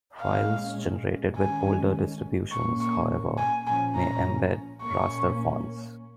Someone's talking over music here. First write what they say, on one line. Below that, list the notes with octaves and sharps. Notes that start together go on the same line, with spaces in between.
Files generated with older distributions, however, may embed raster fonts.
A#2 G#3 C#4 F5
D#3 G#3 C#4 G#5
A#2 A#3 C#4 C#6
C#6
G#5
A#2 F3 C#4 G#5
A#5
A#2 A#3 C#4 C#6